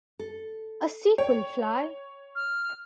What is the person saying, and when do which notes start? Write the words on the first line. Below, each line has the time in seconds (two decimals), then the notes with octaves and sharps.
A sequel, Fly!
0.19 A4
1.18 C#5 G5
2.35 F6